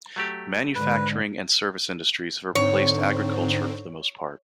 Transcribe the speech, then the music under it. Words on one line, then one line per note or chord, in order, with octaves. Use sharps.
Manufacturing and service industries have replaced agriculture for the most part.
F#3 A3 G4
G#2 D3 G#3 B4
G#2 D3 C4 C#5